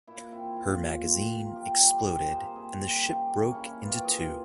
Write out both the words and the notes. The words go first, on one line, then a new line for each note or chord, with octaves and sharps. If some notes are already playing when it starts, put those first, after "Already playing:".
Her magazine exploded and the ship broke into two.
A#2 E4
C4 E4
A#2 F4
F3
C3
A#3
F4
C3 G4
G3
G4
C3 G#4
A#3 C5
C3 G#4
G3
C#3 G4
A#3
C#4
C#3 E4
E4
E3 F4
G4
C3 G#4